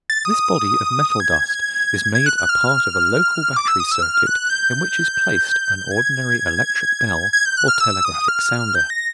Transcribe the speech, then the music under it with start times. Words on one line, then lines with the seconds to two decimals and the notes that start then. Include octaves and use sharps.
This body of metal-dust is made a part of a local battery circuit in which is placed an ordinary electric bell or telegraphic sounder.
0.10 A6
0.25 D#6
1.20 G#6
2.15 G#6
2.26 F#6
2.38 F#6
2.49 F6
3.56 D6
3.68 E6
3.80 D#6
3.91 E6
4.02 F6
4.27 F#6
4.50 G6
5.91 G#6
7.33 G#6
7.45 G6
7.57 F#6
7.68 F6
7.80 E6
8.05 D#6
8.28 F6
8.75 G6
8.90 A#6